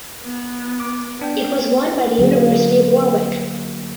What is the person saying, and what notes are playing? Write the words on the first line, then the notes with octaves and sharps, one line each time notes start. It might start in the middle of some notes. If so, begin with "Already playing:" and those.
It was won by the University of Warwick.
B3
D6
B3 D4 G5
D3 F#3 A#3 G#4